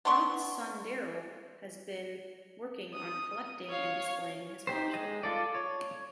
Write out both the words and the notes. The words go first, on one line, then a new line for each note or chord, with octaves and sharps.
Roth's son Darryl has been working on collecting and displaying his father's work.
B3 D4 C6 C#6
D#6
C#5 F5
D#4 G4 C5
G#3 D#5
F4 A4 D5
C#5